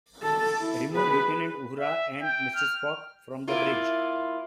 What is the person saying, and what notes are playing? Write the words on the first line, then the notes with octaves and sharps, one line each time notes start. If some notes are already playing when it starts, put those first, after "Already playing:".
Remove Lieutenant Uhura and Mr. Spock from the bridge.
A4
E4
G#4 B4
E5
G5
F6
A#3 E4 F4